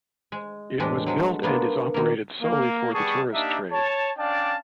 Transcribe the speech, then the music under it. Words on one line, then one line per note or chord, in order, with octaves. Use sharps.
It was built and is operated solely for the tourist trade.
G#3
E2 A2 G#3 D4 G4 D#5
F#3 G#3 A3
A#3 B3 D4 F4
D#3 A#3
A#3
G3 B3 G#4 A5 C#6
A#3 D4 D#4 G4 E5
C#5 A5
C#4 D4 D5 F5 G5 A5